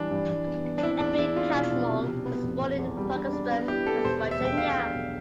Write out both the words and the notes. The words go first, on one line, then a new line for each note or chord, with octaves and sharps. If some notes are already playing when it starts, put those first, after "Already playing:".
Edwin Catmull was born in Parkersburg, West Virginia.
Already playing: E3 G3 D4
G2
E3
B3
B3
D4
C4 E4
E2 D4
E2 E4
C4 F4
B2
B2
C3
C3
B3
F1
F1
E2
G3
D4
D4
B3
E4 G4
B3 A4
E1 C5
D2
E5
E1 G5
B2 F5
D4
B1